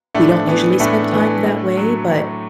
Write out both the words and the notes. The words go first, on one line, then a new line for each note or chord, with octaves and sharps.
we don't usually spend time that way, but
A2 A3 D4
E3 B3
A2 A3 D4
E3
A2
F#3
A2